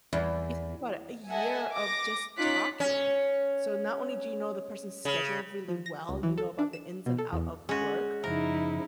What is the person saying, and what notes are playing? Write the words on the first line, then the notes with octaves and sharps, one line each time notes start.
You think about it, a year of just talking. So not only do you know the person's schedule really well, you know about the ins and out of work,
E2
A4 D#5 E5 F#5 G#5
D6 A#6
C#4 D#4 F4 D6 F#6 B6
C#4
C#3
F3
A#6
C#2
E3
A4
D4
E7
B2
A4
E2
G#3 C#4 F#4
F#2 C#3 F3 D#4 E4 A#4